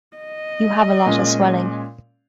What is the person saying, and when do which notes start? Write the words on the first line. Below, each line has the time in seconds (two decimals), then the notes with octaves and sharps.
You have a lot of swelling.
0.17 D#5
1.06 A#2 G#3 C#4